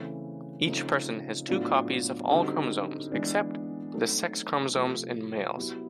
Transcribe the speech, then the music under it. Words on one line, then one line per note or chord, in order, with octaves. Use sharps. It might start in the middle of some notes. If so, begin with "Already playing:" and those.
Each person has two copies of all chromosomes, except the sex chromosomes in males.
Already playing: C#3 E3 A3 C4
C#3 F3 A3 C4 D#4
A2 F#3 B3 D4 F4
D3 G3 C4 D#4 F#4
E3 G#3 B3 D4
F#3 A3 C4 D#4 F#4
C3 F3 A3
F#3 B3 E4 G4